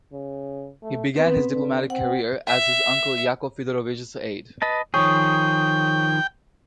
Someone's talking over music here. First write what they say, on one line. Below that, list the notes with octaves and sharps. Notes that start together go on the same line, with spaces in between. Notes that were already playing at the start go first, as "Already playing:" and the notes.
He began his diplomatic career as his uncle Yakov Fyodorovich's aide.
C#3
A3
B3 C4 B4
D3
C4 F#5
E5
B4 D#5 A5
D#3 F3 G#4 C#5 G5 C#6 D#6